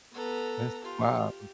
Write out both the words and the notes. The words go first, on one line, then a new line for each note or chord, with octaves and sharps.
That's wild.
B3 A4 A#5
F4 G4